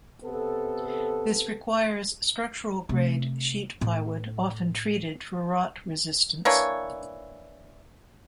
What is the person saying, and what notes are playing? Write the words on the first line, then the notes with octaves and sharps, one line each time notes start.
This requires structural grade sheet plywood, often treated for rot resistance.
C3 B3 A4
C3 A3
A2
E3 A#3 D4 C#5